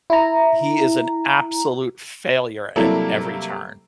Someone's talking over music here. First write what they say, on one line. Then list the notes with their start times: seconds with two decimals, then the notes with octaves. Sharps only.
he is an absolute failure at every turn.
0.10 E4 A#5
2.76 C3 F#3 G3 A#3 E4 A4